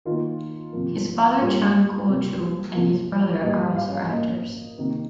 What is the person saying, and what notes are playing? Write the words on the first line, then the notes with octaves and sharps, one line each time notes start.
His father Chang Kuo-chu and his brother are also actors.
D#3 A#3 F4
C3 F3 A#3
A#2 G3 A#3 F4
C3 G3 A#3
C3 F3 A#3
A#2 G3 A#3 D#5
F5
A#2 A#3 D#5
C3 D#3 A#3